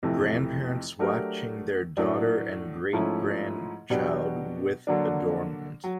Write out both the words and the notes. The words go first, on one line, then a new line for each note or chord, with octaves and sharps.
Grandparents watching their daughter and great grandchild with adornment.
F2 C3 E3 A3
F#3 A3 D4 G4 A#4
A2 F#3 A3 D4
G#2 F3 A3 C#4 E4
B2 F#3 B3 D4 G4
D3 F#3 A#3 D4
F#3